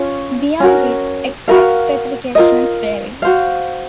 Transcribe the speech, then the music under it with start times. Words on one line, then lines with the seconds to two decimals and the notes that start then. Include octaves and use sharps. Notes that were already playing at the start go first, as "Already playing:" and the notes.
Beyond this, exact specifications vary.
Already playing: C#4 F4 C#5
0.60 C#4 F#4 A#4
1.48 F#4 A#4 F5
2.35 F4 A#4 D#5
3.22 F#4 C5 F5